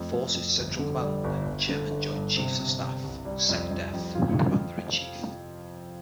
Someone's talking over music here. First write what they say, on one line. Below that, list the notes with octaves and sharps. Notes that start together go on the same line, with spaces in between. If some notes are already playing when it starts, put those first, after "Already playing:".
Forces Central Command, Chairman Joint Chiefs of Staff, SecDef, Commander in Chief.
Already playing: F2 A3
F2
F2
G1
D3
G3
G1
G1
D3
D3
G2
C3
C3
C3
C2
G3
F2
F2
F2
F4